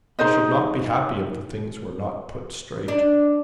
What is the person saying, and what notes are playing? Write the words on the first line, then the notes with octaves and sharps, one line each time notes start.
I should not be happy if the things were not put straight.
D#4 G#4 C5 D#5
D4